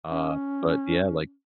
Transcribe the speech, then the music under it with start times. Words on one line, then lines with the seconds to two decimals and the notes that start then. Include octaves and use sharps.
Uh, but yeah, like
0.11 C#4